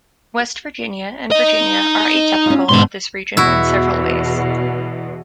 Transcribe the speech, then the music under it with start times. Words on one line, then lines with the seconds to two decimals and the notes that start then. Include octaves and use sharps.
West Virginia and Virginia are atypical of this region in several ways.
1.32 D#4 D#5
2.46 C#4 F4
2.69 G#2 B2 D3 A5 C6
3.37 E2 B2 E4 F#4